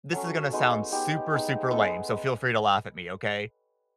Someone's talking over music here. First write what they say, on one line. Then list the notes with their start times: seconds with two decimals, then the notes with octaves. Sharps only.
this is gonna sound super, super lame, so feel free to laugh at me, okay?
0.13 F#3 A3 C#4 F#4
0.53 G#3 B3 D#4
0.92 G#3 B3 D#4 G4
1.31 G#3 B3 D#4
1.70 G#3 B3 D#4 A4
1.81 G#4